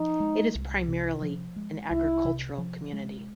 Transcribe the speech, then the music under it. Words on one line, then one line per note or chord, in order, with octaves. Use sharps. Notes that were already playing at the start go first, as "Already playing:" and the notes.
It is primarily an agricultural community.
Already playing: F3 D#4
G#3
C2
C3
F3
G#3
C2 E4
C3
F3
G#3